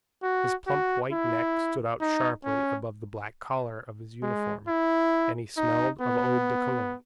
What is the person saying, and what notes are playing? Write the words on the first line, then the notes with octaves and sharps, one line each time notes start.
His plump white neck stood out sharply above the black collar of his uniform, and he smelled of Eau de Cologne.
F#4
F#4
E4
D#4
C#4
G#3
E4
D#4
B3